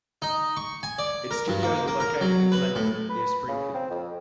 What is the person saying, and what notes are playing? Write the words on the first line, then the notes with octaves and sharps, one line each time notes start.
Its studios were located in Glenwood, near Springfield.
D#4
C#6
G#5
D5
A#4
G2
A#3
A#3
A#4
F#3
B4
A2
B4
C#3
C4
F2